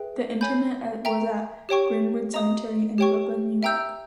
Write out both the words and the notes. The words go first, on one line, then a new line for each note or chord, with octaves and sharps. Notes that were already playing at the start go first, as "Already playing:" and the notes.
The interment was at Green-Wood Cemetery, in Brooklyn, New York.
Already playing: G#4 B4 E5 G5
C#5 G#5 B5 G6
E5 G5 A#5
G4 C#5 G5 C#6
D#5 A#5 D#6
G4 C#5 G5 C#6
E5 G5 A#5 E6 G6